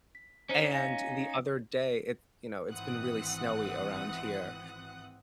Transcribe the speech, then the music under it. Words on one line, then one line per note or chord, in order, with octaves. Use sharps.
and the other day, it you know, it's been really snowy around here.
B6
C#4 D#4 C5
F5 G#5 A#6
G#1 E3 C4 F#5 D#6 F#6